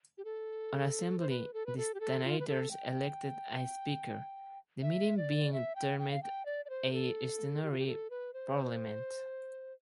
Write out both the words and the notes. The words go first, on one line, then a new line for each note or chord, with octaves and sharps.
On assembly the stannators elected a speaker, the meeting being termed a Stannary Parliament.
G4
A4
C5
B4
A4
B4
A4
G4
A4
F4
B4
A4
G5
E5
D5
E5
G5
G5
F5
G5
D5
D5
C5
A4
G4
F4
G4
A4
B4
C5